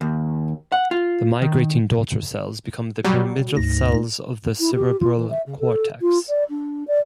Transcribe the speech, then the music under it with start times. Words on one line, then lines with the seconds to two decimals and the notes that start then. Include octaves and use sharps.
The migrating daughter cells become the pyramidal cells of the cerebral cortex.
0.01 D#2
0.72 F#5
0.91 F4
1.42 D#3
3.05 B2 F#3 G3
3.56 D2 G#2 A#6
4.60 E4
4.74 G4
5.00 F4
5.16 E3
5.30 E5
5.46 C#3
5.59 A4
6.01 F4
6.28 D5
6.49 D4
6.87 D5